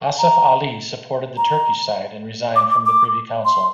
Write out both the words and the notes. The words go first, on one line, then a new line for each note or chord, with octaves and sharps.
Asaf Ali supported the Turkish side and resigned from the Privy Council.
A#5
A#5
D6
D6
D6
C6